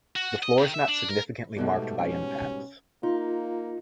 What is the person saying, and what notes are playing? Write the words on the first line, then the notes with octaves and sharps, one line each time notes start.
The floor is not significantly marked by impacts.
F#4
D#5
D#3
E5
D4
A#4
G#2 B2 G3 A3
C#4
A#3 D#4 F4